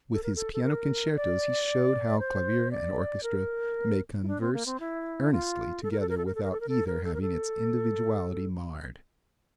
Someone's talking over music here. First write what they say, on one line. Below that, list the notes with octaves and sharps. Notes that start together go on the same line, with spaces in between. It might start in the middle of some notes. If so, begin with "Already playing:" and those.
With his piano concertos he showed how clavier and orchestra may converse earnestly together without either having its individuality marred.
A4
A#4
A4
A4
A#4
D5
C5
D5
A#4
E4
D4
C4
A#3
C4
E4
F4
A4
A#4
A4
A#4
A4
A#4
A4
A#4
A4
A#4
A4
A#4
A4
A#4
A4